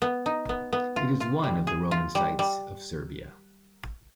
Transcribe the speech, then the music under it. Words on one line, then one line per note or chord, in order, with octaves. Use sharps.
It is one of the Roman sites of Serbia.
B3
D#4
B3
B3
F4
F4
G3
G#4
F4
G3
G3